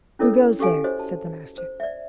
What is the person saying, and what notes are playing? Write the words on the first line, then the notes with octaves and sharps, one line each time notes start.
"Who goes there?" said the master.
C#4 E4 A4 A#4 C#5 D#5
C#4 G4 A4 F5 G#5
F#4 C5 C#5 D#5
A5
C5
D5 E5